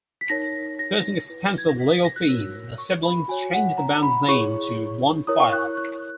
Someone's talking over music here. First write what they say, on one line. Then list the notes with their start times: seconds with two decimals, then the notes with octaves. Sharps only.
Facing expensive legal fees, the siblings changed the band's name to Blondfire.
0.21 B6
0.29 D#4 A#4 C#5 A#6
0.79 A#6
1.29 E4 B4
1.58 G#6
1.69 A#6
1.80 B6
1.92 B6
2.05 A#6
2.16 F#6
2.28 F#4 A#4 C#5 E6
2.78 C#6
3.03 B5
3.28 F#4 C#5 G#5
3.53 F#5
3.78 A#5
4.03 B5
4.28 E4 G#4 C#5 C#6
5.27 E4 A#4 C#5 D#6
5.40 C#6
5.53 F#6
5.77 F#6